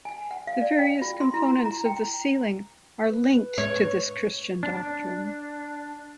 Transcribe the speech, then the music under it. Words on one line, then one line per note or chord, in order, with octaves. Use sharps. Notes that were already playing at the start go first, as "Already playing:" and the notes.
The various components of the ceiling are linked to this Christian doctrine.
G#5
F#5
F5
D5
G5
F4
C6
E4
A#5
A#5
G5
B4
C#5
D4